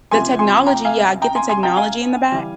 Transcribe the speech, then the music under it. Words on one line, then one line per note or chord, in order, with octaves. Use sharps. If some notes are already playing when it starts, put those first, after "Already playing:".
The technology, yeah, I get the technology in the back,
C#2 C3 F3 G#5 C6
G#5 C6
G5 A#5
F5 G#5
G5 A#5
G#5 C6
G#5 C6
G5 A#5
F5 G#5
E3 G3